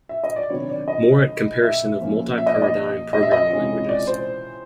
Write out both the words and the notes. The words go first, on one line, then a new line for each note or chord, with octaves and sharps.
More at Comparison of multi-paradigm programming languages.
E5
D#5
D5
C3 D#3 F#3 B3 D4 C#5
D5
D#5
E5
F3 A#3 C#4
E5
D#5
D5
D#5
D#5
E5
D#5
C3 E3 G#3 C#4 F4
D5
C5